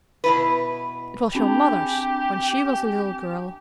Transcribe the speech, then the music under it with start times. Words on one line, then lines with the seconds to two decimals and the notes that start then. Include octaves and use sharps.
"It was your mother's when she was a little girl."
0.24 B2 E4 B4
1.35 C4 D4 G4 G#5